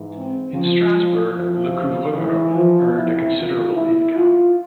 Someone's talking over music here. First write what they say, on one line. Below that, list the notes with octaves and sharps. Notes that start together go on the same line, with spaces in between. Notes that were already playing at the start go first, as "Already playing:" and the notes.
In Strasbourg, Lecouvreur earned a considerable income.
Already playing: G#2 E3
C4
F3
F2 E3 F3
E3
F3
E2 C3 E3 E4
F4
E4
F4